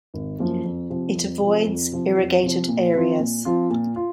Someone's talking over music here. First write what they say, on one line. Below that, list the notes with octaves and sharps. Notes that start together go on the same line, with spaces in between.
It avoids irrigated areas.
G#1
F#2 F3 A#3
F2
C3 F3
F2
C3 F3
F2
C3 F3
F2
C3 F3
A#2
F3 C4 F4
A#2
F3 C4 F4
A#2
F4